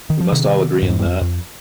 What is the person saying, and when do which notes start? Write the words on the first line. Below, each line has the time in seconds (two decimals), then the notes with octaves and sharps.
We must all agree in that.
0.10 D#3
0.20 F3
0.32 C3 D#3
0.82 G2
0.88 F2 G#2
0.99 G2
1.05 F2
1.21 F2